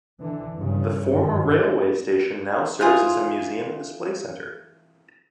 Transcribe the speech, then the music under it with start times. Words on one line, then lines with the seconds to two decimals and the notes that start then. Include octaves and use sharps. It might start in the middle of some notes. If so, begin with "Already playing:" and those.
The former railway station now serves as a museum and display centre.
0.20 D3 E3
0.56 G2 C#3 G3
1.09 G#1 F#2 D3 D#3
2.81 E3 F3 F4 G#4